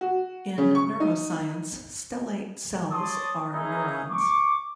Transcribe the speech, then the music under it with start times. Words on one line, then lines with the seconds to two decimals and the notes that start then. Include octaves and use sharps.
In neuroscience, stellate cells are neurons.
0.01 F#4
0.58 C#3
0.75 C#6
1.00 D#4
2.91 C#5 D5 A5 C6 D#6
3.54 C#4 D#4 E4 G#4 A#4
4.10 C#6 D6